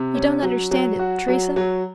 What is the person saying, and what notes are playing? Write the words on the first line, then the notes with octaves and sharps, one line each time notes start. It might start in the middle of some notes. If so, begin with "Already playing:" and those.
"You don't understand it, Teresa?"
Already playing: C3
C#4
F#3
F#3
F#4
F#3
F#3